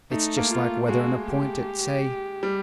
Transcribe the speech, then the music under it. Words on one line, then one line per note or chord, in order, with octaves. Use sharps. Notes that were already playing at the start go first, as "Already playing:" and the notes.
It's just like weatherin' a point at say.
A3 D#4
A#3
F4
G#3 F#4
G4
G3